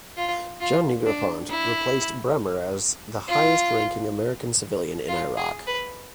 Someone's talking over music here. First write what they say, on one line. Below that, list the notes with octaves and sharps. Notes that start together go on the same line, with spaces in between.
John Negroponte replaced Bremer as the highest-ranking American civilian in Iraq.
F4
F4
D4
E4
F4
F4
G#4
B4